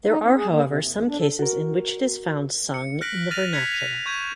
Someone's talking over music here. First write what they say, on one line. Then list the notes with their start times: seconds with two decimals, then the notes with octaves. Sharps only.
There are however some cases in which it is found sung in the vernacular.
0.09 D#4
0.24 C4
0.36 G#4
0.49 A#3
0.66 C3
0.87 E2
1.07 D4
1.19 A4
1.39 F#4 A#4
2.74 C#7
3.01 F6 F#6 A#6 B6 D7 F#7
3.31 F6 A6 A#6 D#7 F7
3.53 F#6 G#6 B6 C#7 F7
3.72 D#7 F7
4.06 C#6 G6 G#6 D#7